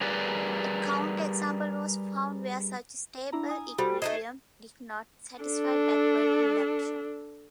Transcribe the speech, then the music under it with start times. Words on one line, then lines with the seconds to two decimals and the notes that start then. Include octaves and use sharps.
A counter-example was found where such a stable equilibrium did not satisfy backward induction.
0.01 G3 G4 G#4 A#4 B4 D5
3.32 D4 E4 A#5
3.49 G#5 D#6
3.78 G3 F#4 A4 C5
4.02 A3 D#4 D#5 G#6 C7 E7
5.41 D4 A4